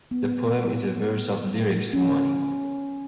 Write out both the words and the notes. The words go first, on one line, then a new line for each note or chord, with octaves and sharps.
The poem is a verse of lyrics to "Money".
B3
C#4